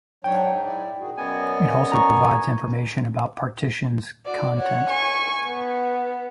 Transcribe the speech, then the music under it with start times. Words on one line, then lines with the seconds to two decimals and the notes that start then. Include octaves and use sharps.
It also provides information about partitions content.
0.24 G#2 F#3 D4 C#5 G5
0.64 E4 D5
0.99 D#3 F#4 G#4
1.17 F#2 B3 C#4 D5 D#5 G#5
1.92 A#5 C#6
4.26 F#4 D5
4.56 C#5 F#5
4.89 G#5 C#6
5.45 B3